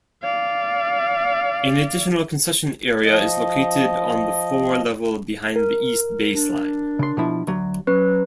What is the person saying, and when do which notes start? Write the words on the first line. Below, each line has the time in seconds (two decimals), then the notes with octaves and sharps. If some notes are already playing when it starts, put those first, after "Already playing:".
An additional concession area is located on the floor level behind the east baseline.
0.22 D5 F5
3.04 F3 D#5
5.56 A#4
6.35 D4
6.99 C#3 C6
7.17 B2 F3 E4
7.47 D2 F#3
7.87 F#3 C#4 B4